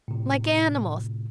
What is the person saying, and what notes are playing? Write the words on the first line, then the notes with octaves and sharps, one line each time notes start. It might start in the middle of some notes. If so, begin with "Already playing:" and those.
Like animals!
A2 C3